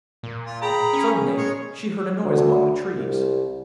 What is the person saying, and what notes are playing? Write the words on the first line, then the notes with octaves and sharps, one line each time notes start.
Suddenly she heard a noise among the trees.
A#2
F4
G#4 G5 A#5 B5
C#4
G#3 C#5
D2
C2